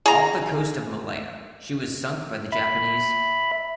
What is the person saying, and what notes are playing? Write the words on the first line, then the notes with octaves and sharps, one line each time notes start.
Off the coast of Malaya, she was sunk by the Japanese.
G#4 A#5
E5 B5